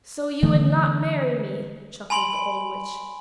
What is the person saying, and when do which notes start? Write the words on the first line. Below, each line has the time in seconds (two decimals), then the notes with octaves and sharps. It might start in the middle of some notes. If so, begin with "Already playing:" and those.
'So you would not marry me!' chuckled the old witch.
0.43 D3 E3 A3
2.10 G#5 B5 C6 D7 F#7